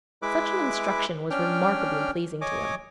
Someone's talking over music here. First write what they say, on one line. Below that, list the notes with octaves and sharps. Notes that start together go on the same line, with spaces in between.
Such an instruction was remarkably pleasing to him.
G#3 E4 B4 E5 D6
C#4 D4 G5 F6
C#5 D#5 G#5 D6